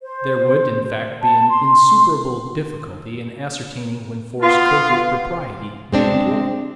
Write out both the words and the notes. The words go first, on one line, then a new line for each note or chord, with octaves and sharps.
There would, in fact, be an insuperable difficulty in ascertaining when force could with propriety be employed.
C5
A5
C6
B3 F4
G#3 C4 D4